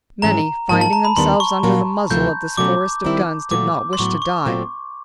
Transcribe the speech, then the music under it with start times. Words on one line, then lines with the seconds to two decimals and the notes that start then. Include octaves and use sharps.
Many, finding themselves under the muzzles of this forest of guns, did not wish to die.
0.22 G#2 E3 G#3 C#4 A#5
0.69 G#2 F3 A#3 D#4 A5
0.81 A5
0.93 A#5
1.05 B5
1.16 D#2 D#3 G3 B3 D4 C6
1.40 C#6
1.63 A#2 F#3 A#3 C#4
2.10 D2 C3 F3 A3 G6
2.57 B2 F#3 A3 C#4 D6
3.04 D#3 G3 C4 E4
3.51 A#2 F#3 A3 D6
3.93 C6
3.98 A2 F#3 B3 C#6
4.22 C#6
4.45 A#2 F#3 A3 C4 F4